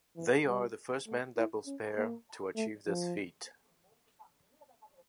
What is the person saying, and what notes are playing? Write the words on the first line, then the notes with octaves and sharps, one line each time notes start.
They are the first Men's Doubles pair to achieve this feat.
E3
G3
A3
E4
C#4
A#3
A3
F3